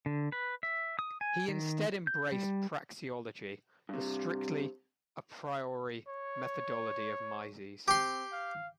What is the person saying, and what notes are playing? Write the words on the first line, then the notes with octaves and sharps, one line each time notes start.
He instead embraced praxeology, the strictly "a priori" methodology of Mises.
D3
B4
E5
D#6
G#5
D#3
G6
G3
G2 C3
C#5
C4 G4 C6
F5